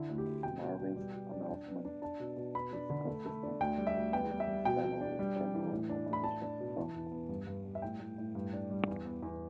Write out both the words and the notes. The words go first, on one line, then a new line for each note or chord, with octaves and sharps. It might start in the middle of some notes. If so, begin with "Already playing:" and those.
Marvin's announcement is consistent with his family's general opposition to Trump.
Already playing: D3 E4
D2
G4
D2
B2 G5
B2
B2
G3
B2
D4
D4
B3
D4
D4 A5
B2
B2
B3 B5
D4
D3
A3
A3
D4
D2 G5
G3
E5
D2
B3 G5
G3
E5
G3
B2 G5
B2
D4
G3
D4
E3
A2
D4
A2
B5
D4 A5
D4
B2
E3
E2
B3
G2
G2
G3
E5
A2 G5
A2
A2
G2
D4
G3
E2
B3
E2